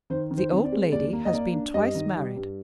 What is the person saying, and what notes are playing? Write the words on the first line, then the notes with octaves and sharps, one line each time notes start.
The old lady has been twice married.
D#3 C5
D#3
C5
C4
D5
G#3
D#2 D5
A#3
D#5
A#3 D5
D4
G2 D#5
D#3
G3
G2